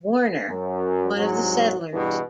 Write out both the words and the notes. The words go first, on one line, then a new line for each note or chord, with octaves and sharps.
Warner, one of the settlers.
F#2
C2 G#2 F#3
E2 G2 B2 E3